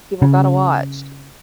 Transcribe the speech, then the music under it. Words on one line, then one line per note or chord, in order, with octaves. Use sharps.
People gotta watch.
C#3